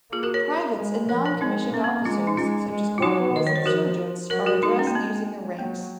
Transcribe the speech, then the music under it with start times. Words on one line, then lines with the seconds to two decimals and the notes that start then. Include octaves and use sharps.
Privates and non-commissioned officers, such as corporals and sergeants, are addressed using their ranks.
0.12 A#3 F4 G#4
0.23 F#4 A#4
0.34 A#4 C#5
0.77 G#3
1.09 F3 A#4 C#5
1.25 A#4 C#5
1.41 G#3 C4 D#4
1.73 A#3 C#4
1.84 C4
2.05 G#3 C#4 F4
2.27 D#4
2.38 G#3 C#4 F4
2.70 G#3
2.98 F4
3.02 F#3 D#4 F#4
3.34 D#3 D#5
3.47 C#5
3.56 C5
3.66 F3 F#4 A#4
4.30 F#3 A#4 C#5
4.46 F#4 A#4
4.63 G#3 D#4 F#4
4.79 C#4
4.87 A#3
4.95 G#3 C4
5.59 F#3 A#3